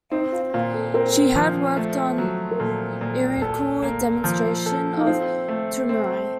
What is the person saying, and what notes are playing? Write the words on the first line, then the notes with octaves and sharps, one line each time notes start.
She has worked on lyrical demonstration of Thumri.
C4 D#4
F4
A#2 F4
A4
C4 A#4
F3
A3
F#3
A#4
A#2 A4
A#2
A4
A#3
F3
A4
D#4
C4 F4
A3
C4